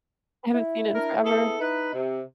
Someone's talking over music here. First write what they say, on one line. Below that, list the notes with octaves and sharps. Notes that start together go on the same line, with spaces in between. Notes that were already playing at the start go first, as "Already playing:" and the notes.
I haven't seen it in forever.
E4
D4 A#4
B3 G#4 A4
D#4 B4
C3